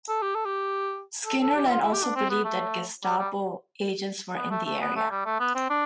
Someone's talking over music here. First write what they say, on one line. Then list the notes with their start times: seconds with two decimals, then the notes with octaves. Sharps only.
Skinnarland also believed that Gestapo agents were in the area.
0.09 A4
0.22 G4
0.35 A4
0.45 G4
1.26 A4
1.41 A4
1.55 G4
1.66 E4
1.71 F4
1.82 E4
1.93 G4
2.04 D4
2.15 C4
2.30 B3
2.45 A3
3.04 G3
3.18 G3
4.36 B3
4.51 A3
4.65 A3
4.81 B3
4.96 A3
5.10 G3
5.26 A3
5.40 B3
5.55 C4
5.70 D4